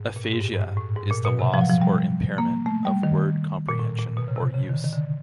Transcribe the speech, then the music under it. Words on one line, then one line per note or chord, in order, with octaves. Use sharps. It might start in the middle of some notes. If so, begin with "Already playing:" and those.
Aphasia is the loss or impairment of word comprehension or use.
Already playing: G#2
B2
A#2
A2
G#2
G2
G2
G#2
A2
G#2
A#2
B2
C3
F3
F#3
F3
G3
A#3
A3
G3
D#3
A#2
A2
A#2
B2
C#3
C3
C#3
D#3
D3
D#3
D3